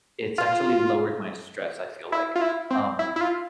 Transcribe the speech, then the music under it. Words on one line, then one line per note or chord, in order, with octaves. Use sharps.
it's actually lowered my stress, I feel like. Um,
F4
E4
F4
E4
C4
E4
E4
F4